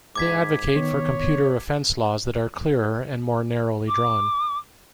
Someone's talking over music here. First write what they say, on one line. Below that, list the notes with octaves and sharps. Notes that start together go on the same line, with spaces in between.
They advocate for computer offense laws that are clearer and more narrowly drawn.
G#2 D6 G#6 B6
D#3 B3 C#5
D6